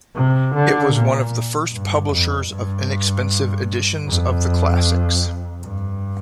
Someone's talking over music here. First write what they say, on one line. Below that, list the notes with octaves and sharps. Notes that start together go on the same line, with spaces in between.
It was one of the first publishers of inexpensive editions of the classics.
C3
D3
A#2
G2
F2
G2
F2
G2